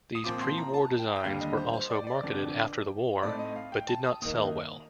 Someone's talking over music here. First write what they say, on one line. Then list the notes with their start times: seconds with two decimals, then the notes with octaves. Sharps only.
These pre-war designs were also marketed after the war, but did not sell well.
0.15 D#6
0.24 A#2 F3 C4 F4 D6
0.41 C6
0.58 A#5
0.74 A5
0.99 G5
1.16 G5
1.24 D#2 D3 G3 F5
1.41 D#5
1.57 C5
1.73 C5
1.90 D5
2.07 D5
2.23 F1 F2 D3
3.23 A2 A3 C4 D#4 D5
3.39 D#5
3.56 F5
3.72 G5
3.88 A5
4.05 D#6
4.21 D#2 D#3 A#3 D#4 D#6